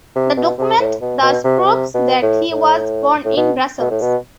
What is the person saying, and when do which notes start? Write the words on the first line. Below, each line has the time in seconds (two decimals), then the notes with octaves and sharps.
The document thus proves that he was born in Brussels.
0.16 C3
0.37 B2
0.58 C3
0.79 A2
1.01 B2
1.23 B2
1.44 C3
1.59 B2
1.65 C3
1.94 B2
2.23 A2
2.51 A2
3.25 A2
3.37 B2
3.80 B2
3.91 A2
4.01 B2